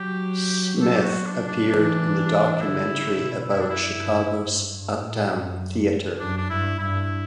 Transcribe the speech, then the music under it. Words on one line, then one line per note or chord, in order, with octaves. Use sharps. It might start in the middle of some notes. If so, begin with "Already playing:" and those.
Smith appeared in the documentary about Chicago's Uptown Theatre.
Already playing: F#3 G4
A4
G4
F#4
D4
D4
E3 D4
D4
D3 E4
C#3
B2
F#2 E4
D4
E4
G2
G2
G2
A2
F#2
F#2 D4
D4
G2 E4
G2 E4